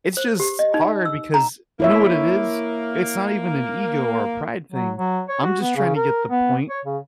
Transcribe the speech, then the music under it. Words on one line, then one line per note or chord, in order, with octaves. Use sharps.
It's just hard because, you know what it is? It's not even an ego or a pride thing, I'm just trying to get the point
C5
G4
D#5
D#4
E6
A#5
A#3 E4 C#5 E5
F#3
F#3
C#5
F#4
B3
C#3
A#4
B3
C#5
C#3